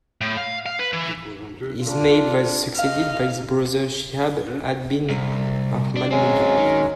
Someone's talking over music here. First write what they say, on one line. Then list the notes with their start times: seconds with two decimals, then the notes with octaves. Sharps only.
Ismail was succeeded by his brother Shihab ad-Din Mahmud.
0.21 A2
0.37 F5
0.66 F5
0.79 B4
0.93 E3
1.85 D4 F4
2.76 D#5 F5
5.10 C2
5.97 D4
6.11 F#3 G#3 C4 C#4 G#4
6.57 D#3